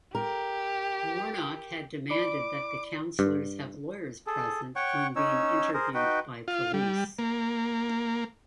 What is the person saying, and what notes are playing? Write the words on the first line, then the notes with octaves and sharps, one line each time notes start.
Warnock had demanded that the counselors have lawyers present when being interviewed by police.
G4 A#4
E4 D5 B5 D6
G2
G#4 A4
C#5 F#5 G5 C#6
C#4 D#4 C#5 E6
G#4 A#4 C5
D#4 F#4 B4 G5
F4
G3
A#3